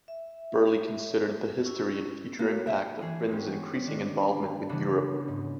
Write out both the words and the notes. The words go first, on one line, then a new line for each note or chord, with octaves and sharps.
Birley considered the history and future impact of Britain's increasing involvement with Europe.
E5
C#4 E4
A#3 F#4 C#5
E5
E3 G#4 E7
F#3 G#3 B3 C#4 G4
D#3 D4 E7
C#3 E3 A3 B3 D4 F#4
G#2